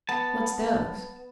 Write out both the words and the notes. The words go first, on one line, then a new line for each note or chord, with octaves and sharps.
"What's those?"
B3 A5